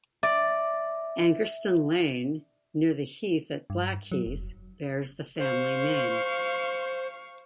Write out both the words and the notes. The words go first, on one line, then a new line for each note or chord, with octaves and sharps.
Angerstein Lane, near the heath at Blackheath, bears the family name.
D5 E5
G2
F#3
F1
C5 F5 C#6